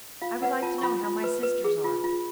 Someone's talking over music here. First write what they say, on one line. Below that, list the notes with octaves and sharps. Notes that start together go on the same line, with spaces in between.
I would like to know how my sisters are.
F4 F5
B4 F#5
F4 A5
C#6
F4 B5
F4
B4
B4
G#4
F4
F4